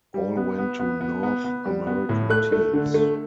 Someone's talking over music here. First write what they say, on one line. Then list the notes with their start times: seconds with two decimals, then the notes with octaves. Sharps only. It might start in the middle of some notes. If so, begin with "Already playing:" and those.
All went to North American teams.
0.14 G3
0.37 B3
0.58 B3
0.79 B3
1.01 B3
1.23 B3
1.44 B3
1.66 G3
1.87 B3
2.09 A2
2.30 A3 F#6
2.52 A3
2.73 D3
2.94 A3